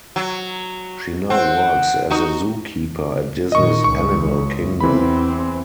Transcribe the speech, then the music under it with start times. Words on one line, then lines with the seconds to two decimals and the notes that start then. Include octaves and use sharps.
She now works as a zookeeper at Disney's Animal Kingdom.
0.16 F#3
1.30 C4 F#5
2.11 D#4 F#4
3.52 A#2 D#3 D#5 C#6
3.84 C#2 C#6
4.80 E2 E3 C4 B5